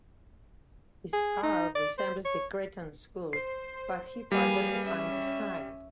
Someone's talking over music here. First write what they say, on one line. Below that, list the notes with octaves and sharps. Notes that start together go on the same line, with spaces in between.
His art resembles the Cretan School but he further refined the style.
G#4
D#4
D5
C5
C#5
C5 C7
G3 A#3 G#4 B4 F5 G#5
C#4 E5